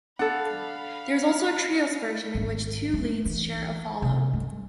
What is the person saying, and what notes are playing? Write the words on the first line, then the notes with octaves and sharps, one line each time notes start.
There is also a Trios version in which two leads share a follow.
D4 A4 F5 F#5 B5
G#1
A3
E3
C3
G2